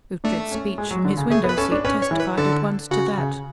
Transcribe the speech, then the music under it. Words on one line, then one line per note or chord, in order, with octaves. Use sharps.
Ughtred's speech from his window seat testified at once to that.
A3 D4
C#4
G#3
F#3
D3
C#3
A3 G#4
B3
B4
C#4 A4
D4
C#4 B4
C#5
E3
B4
D3 A4
C#3 F#4
C#3